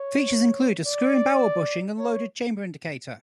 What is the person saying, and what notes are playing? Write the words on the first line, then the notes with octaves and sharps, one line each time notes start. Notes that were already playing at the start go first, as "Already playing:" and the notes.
Features include a screw-in barrel bushing and loaded chamber indicator.
Already playing: C#5
D5
C#5